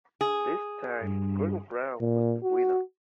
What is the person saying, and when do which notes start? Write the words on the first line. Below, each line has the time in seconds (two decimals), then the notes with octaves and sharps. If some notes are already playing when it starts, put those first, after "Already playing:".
This time, Gregor Braun was the winner.
0.21 G#4
1.02 G2
2.01 A#2
2.43 F#4